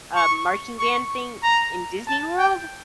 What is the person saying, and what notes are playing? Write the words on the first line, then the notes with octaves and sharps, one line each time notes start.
uh, marching band thing in Disney World.
C#6
C#6
A#5
A5
G5